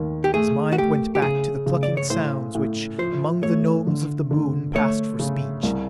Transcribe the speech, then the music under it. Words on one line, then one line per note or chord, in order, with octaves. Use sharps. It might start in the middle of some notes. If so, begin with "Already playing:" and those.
His mind went back to the clucking sounds which, among the Gnomes of the Moon, passed for speech.
Already playing: D#2 D#3
G4
A3 G#4
F#4
A3 G4
G4
C#3 G#4
C#3
D5
C#5
A2 C5
A2
F3 C5
A3 C#5
D3
D3
A3 C#5
C#3
C2